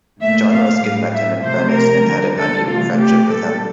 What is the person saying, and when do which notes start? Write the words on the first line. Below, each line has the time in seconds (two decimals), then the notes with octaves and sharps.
John Ruskin met him in Venice and had an uneven friendship with him.
0.21 A#2 A3 E5
0.52 F5
0.83 A2 G3
1.14 E5
1.44 C3 F3 A3 C5
1.75 A#4
2.06 D3 G3
2.37 A4
2.67 C3 E3 A3 F4
2.98 G4
3.29 A#2 G3 A4